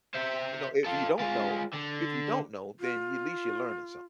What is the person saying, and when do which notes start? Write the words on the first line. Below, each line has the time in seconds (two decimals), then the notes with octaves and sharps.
You know, if you don't know if you don't know, then at least you're learning something.
0.15 C5 E5
0.84 F4 A4
1.19 G#3 F4
1.73 D3
2.80 F4